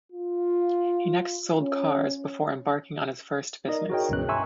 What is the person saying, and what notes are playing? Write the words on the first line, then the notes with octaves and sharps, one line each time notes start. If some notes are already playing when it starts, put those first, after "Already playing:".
He next sold cars, before embarking on his first business.
F4
C#4
D#4 A#4 D5 D#5
F#4 G#4 A#4 C#5 D#5 G5
C#2 G2 B2 E3 C#4 F#6
E5 G#5 A#5 C6 C#6 E6